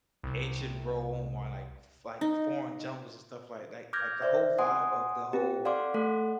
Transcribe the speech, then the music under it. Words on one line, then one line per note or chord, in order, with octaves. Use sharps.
ancient Rome or, like, f like, foreign jungles and stuff like that, like the whole vibe of the whole
C2 C3
D#4
D6 F6 G6 G#6 A#6
C5 D5 E5
F#5 G#5 C6 D#6
C4 G4
A4 D5 F5 F#5 C6 D6
A3 A4 F#5